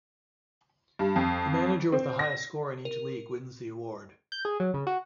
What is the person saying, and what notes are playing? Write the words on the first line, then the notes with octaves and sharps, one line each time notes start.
The manager with the highest score in each league wins the award.
G2
F2
C4
A#6
A#4
G6
G#4
F#3
C#3
F#4